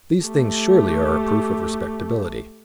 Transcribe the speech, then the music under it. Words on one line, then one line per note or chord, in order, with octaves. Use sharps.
These things, surely, are a proof of respectability.
A3 G4